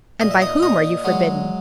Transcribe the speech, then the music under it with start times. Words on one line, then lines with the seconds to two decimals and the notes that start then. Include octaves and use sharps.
"And by whom are you forbidden?"
0.20 A#2 D#5
0.31 E5
0.42 D#4 D#5
0.62 A#2 D#4 D#5
1.04 F#3 G#3 G#4